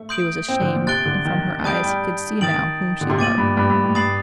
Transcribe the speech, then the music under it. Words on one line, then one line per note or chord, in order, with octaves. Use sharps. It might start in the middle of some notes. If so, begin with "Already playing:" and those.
She was ashamed, and from her eyes he could see now whom she loved.
Already playing: A3
C6 D#6 G6 D7 F#7
C4
D3
A#2
C3 F#6 A6 D7 G7
D3
D#3
G3 A5 D#6 G6 D7
G3
D#3 D#6 A6 D7 F#7
D3
C3
A#2 D6 A6 D#7 F#7
G2
G2
G2
A2
G2 D#6 A6 C7 F#7